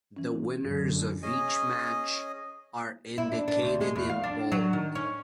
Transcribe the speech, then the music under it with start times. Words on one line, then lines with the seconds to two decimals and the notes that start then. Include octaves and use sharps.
The winners of each match are indicated in bold.
0.16 E3 C#4
0.63 F#2 D3
1.23 C#4 G#4 D#5 G#5
3.18 E4
3.32 D4
3.48 D4
3.62 D2
3.81 G#3
3.96 E2
4.10 F5
4.24 D4
4.52 F#3
4.73 D#3
4.95 C#4